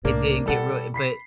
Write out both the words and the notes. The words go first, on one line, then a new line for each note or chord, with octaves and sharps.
It didn't get real but
C2 A2 A#3 D4
B2 G3 E4 A4 F#5
B5 B6 C7